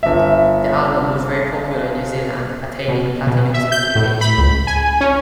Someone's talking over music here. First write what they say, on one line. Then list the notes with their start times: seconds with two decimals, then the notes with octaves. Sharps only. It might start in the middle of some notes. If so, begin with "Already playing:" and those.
The album was very popular in New Zealand, attaining platinum certification.
0.03 G1 E5
2.88 B2
3.27 B2
3.54 E5
3.72 G6
3.95 A2
4.21 B5
4.38 C#2
4.67 G#5
5.01 C#4